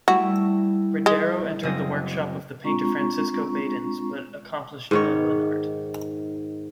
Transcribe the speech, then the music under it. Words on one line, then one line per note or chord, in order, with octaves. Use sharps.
Bredero entered the workshop of the painter Francisco Badens, but accomplished little in art.
G3 A3 E4 F#4
G#3
F#1 C4 D#5
G#3 C4 D4 F4 A#5 C#6
G#2 D#3 C#5